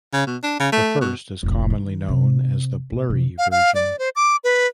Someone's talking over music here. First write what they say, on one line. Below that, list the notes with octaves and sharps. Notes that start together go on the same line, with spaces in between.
The first is commonly known as the "blurry" version.
C#3
B2
D4
C#3
A3
B2
F1 A#1
D#3
C3
A#2
C3 E3
F5
F5
D5
C5
D6
B4